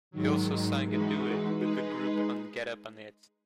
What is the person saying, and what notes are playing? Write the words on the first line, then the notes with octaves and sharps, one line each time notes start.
He also sang a duet with the group on Get Up On It.
G#2 D#3 F#3
E3 G#3 D#4 F#4 B4
G#3 D#4 G#4 B4